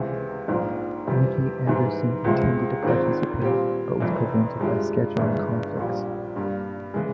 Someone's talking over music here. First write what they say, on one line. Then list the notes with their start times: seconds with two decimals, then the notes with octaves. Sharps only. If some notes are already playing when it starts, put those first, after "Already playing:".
Nicke Andersson intended to participate, but was prevented by scheduling conflicts.
Already playing: C#2 C3 E3 G#3
0.48 A#1 G#2 F3 A#3
1.07 F2 C3 E3 G3
1.66 G#2 E3 G3
2.24 C#2 C3 F3 G#3 E4
2.83 G#1 G#2 F3 C4
3.42 A#2 G3 C4 G4
4.00 F1 F2 E3
4.59 G2 F3 G#3 E4 G4
5.18 G1 G2 E3 G#3 E4
5.77 A#1 A#2 G3
6.36 G2 G3 A#3
6.94 C#3 E3 G#3